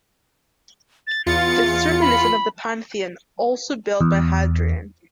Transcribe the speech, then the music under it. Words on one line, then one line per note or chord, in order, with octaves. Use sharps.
This is reminiscent of the Pantheon, also built by Hadrian.
A6
E2 F4 A6 C#7
B5
E2